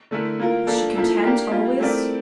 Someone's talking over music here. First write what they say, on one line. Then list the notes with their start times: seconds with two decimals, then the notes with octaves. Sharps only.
Was she content, always?
0.11 D3 A3 E4 A#4
0.40 A#3 F4 A#4
0.67 F3 A#3 D4 A4
0.95 F3 A#3 E4 A4
1.23 A#3 D4 G4 A#4
1.51 G3 A#3 F4
1.80 A3 C4 E4 A#4 D5